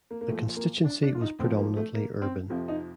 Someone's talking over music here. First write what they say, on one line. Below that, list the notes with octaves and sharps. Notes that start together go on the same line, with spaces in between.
The constituency was predominantly urban.
A#3
A#3
A#2 F3 A3
A#3
D4
D4
F4
D#4
A2 F3 C4
A#3
A3
A#3
C4
F2 C3 F3
D#4